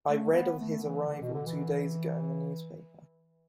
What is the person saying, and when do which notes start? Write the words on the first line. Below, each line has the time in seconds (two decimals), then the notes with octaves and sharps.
I read of his arrival two days ago in the newspaper.
0.09 A3
0.30 A3
0.34 B3
0.59 A3
0.83 E3
1.08 D3
1.21 B2
1.34 D3
1.46 E3